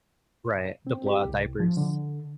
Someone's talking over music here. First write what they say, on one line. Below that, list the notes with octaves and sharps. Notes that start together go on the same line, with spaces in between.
Right, the blowout diapers.
C4
G4
C2
F3
D3